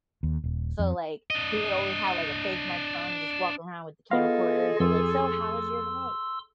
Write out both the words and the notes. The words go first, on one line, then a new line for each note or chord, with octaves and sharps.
So, like, he would always have, like, a fake microphone and just walk around with the camcorder and be like, "So how was your day?"
D#2
D#1
F2
D4 D#5
B3 F4 G#4 A4 D#5 F5
F2 C6 E6